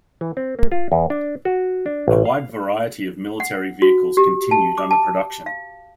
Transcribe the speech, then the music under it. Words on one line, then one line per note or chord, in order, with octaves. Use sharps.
A wide variety of military vehicles continued under production.
E3
C4
A#3
F4
E2
D4
F#4
D4
A1
F5
F#5
F#4
G4
A5
D6
A5
F5